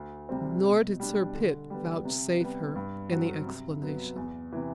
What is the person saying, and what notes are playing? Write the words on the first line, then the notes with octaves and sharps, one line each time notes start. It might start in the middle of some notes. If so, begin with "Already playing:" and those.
Nor did Sir Pitt vouchsafe her any explanation.
Already playing: D2
C3 G3 C4
B2
G3 D4
D3
G3 B3
C3
G3 B3
G2
F#3 C4 F#4
C3
F#3 B3
E2
C3 E3